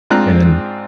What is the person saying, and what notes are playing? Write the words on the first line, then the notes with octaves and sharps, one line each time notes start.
and then
G#2 C4 D4 F4 A#5 F#6